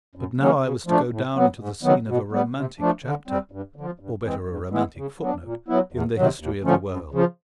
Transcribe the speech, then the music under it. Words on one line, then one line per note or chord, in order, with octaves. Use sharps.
But now I was to go down into the scene of a romantic chapter--or, better, a romantic footnote--in the history of the world.
F#2
C#3 F#3 A#3 C#4
C#3
F3 A3 D4
A2
F#3 B3
G#2
D#3 F#3 B3
B2
G3 B3
C3
F3 A3 D4
D3
G3 C4
G2
D3 F3
G2
E3 G#3 C4
G2
E3 G#3 B3 E4
C#3
F#3 B3 D4
A#2
F#3 B3 E4
E2
C3 D#3 F#3
D#2
D3 F3 A3 C#4
F#2
C#3 F3